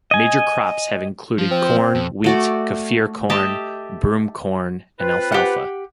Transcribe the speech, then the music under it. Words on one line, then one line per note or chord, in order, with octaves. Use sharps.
Major crops have included corn, wheat, Kaffir corn, broomcorn and alfalfa.
D#5 G#5
F3
C4
F2
A3 F#4 D5
G4 D#5 E5 A5
C4 F4 B4
G4 F#5